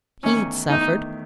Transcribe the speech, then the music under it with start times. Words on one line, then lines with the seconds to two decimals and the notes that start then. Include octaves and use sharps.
He had suffered.
0.23 E2 D#3 A3 C#4
0.69 E2 D#3 A3 D#4